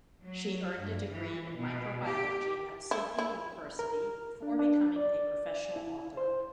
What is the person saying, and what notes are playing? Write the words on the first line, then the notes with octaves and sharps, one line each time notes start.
She earned a degree in microbiology at Sydney University before becoming a professional author.
F#3
G2
E3
B2
G4
E4
E4
A#4
D4
D4
D5
E4
C5